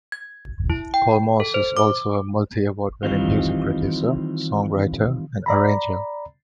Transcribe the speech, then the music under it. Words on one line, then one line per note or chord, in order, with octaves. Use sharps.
Paul Moss is also a multi-award-winning music producer, songwriter and arranger.
G#6
E4
G5
A4
C5
D6
D#3 E3 G3 C4 D#4 F4
D5 A#5 B5